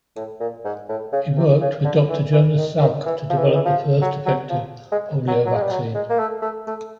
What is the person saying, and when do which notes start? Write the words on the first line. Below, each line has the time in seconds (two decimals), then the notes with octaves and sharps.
He worked with Doctor Jonas Salk to develop the first effective polio vaccine.
0.16 A2
0.40 A#2
0.64 G#2
0.89 A2
1.12 C#3
1.37 C3
1.60 C#3
1.84 D3
2.09 E3
2.32 E3
2.58 D#3
2.81 D#3
3.06 E3
3.30 F3
3.37 E3
3.46 D#3
3.54 E3
3.65 F3
4.01 F#3
4.26 F#3
4.49 F3
4.92 G#3
5.28 F#3
5.46 F#3
5.55 G#3
5.62 G3
5.71 F#3
5.94 G#3
6.10 A#3
6.19 A3
6.42 A3
6.67 A3